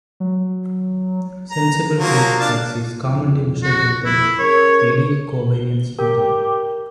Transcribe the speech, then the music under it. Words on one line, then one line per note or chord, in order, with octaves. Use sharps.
Sensible heat flux is commonly measured with the eddy covariance method.
F#3
A#5
F3 F#3 A#3
D4 F5 A5
C2 F2
F#4
F2 E4
C#4 G#4 A#4 C#5
G4 A#4